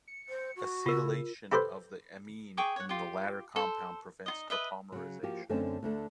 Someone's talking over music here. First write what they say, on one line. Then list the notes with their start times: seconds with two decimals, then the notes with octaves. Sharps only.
Acetylation of the amine in the latter compound prevents tautomerization.
0.08 C#7
0.29 C5
0.56 F#4
0.86 C#3 F4 A#4
1.52 E4 G4 A4 B4 C5
2.57 G#4 G5 C#6 D6
2.76 C#5 F#5
2.89 F4 G4
3.56 A4 C5
4.26 D#4 F4 D#5
4.50 B4 D#5 E5
4.92 C#3 F#3
5.23 F3 A#3 F#4 G4
5.49 F#2 D3 A3 C4 C#4
5.83 D2 D3 A3